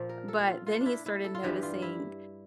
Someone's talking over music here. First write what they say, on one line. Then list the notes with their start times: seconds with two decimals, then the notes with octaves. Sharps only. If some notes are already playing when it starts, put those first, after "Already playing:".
But then he started noticing
Already playing: A#2 F3
0.09 A#4
0.28 A4
0.48 F4
0.67 F4
0.81 D4
0.86 E4
1.06 E4
1.24 A4
1.35 F4
1.43 G2 E3 G3 G4
1.63 F4
1.82 E4